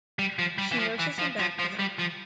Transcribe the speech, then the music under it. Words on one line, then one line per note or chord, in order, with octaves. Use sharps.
She nurses him back to health.
G3
F3
G3
E3
F3
E3
F3
F3
F3
G3
F3